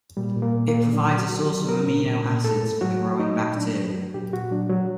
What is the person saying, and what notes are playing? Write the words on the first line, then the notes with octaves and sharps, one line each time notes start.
It provides a source of amino acids for the growing bacteria.
A#2 G3
A#2
A#3
A#2
A#3
A#2
F#3 D4
F#3
F#4
F#3
G4
F#3
F#3 A#4
A#2
A#2
A#2
A2 A4
A2
F#3 F#4
F#3
F#3 D#4
A#2
F#3 D4
F#3
F#3
A#2 G4
A#2 F#4
F#3 D4
F#3